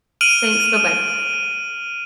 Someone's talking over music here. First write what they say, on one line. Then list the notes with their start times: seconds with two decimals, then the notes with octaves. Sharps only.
Thanks, bye-bye.
0.21 F6 D7 D#7 F7 F#7